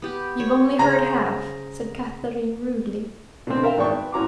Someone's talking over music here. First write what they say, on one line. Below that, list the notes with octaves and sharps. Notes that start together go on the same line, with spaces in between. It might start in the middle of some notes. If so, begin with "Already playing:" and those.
"You've only heard half," said Katharine, rudely.
B3 G4
C#5
C#3 C5 A#5
B2 D3 C4
A#4 E5 F5 G5
G#1 B3 D5 G5 C#6
B3
A2 C#4 F#4 A#5 C6 D6